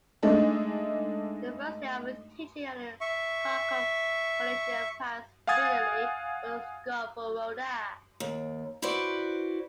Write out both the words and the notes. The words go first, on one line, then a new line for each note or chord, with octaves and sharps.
The first year of teaching at Kharkov Collegium passed brilliantly for Skovoroda.
G#3 A3 D4 D#4
E5 C#6
F5 F#5 G#5 D#6 G#6 A6
D#2
E4 F#4 B4 C5 D5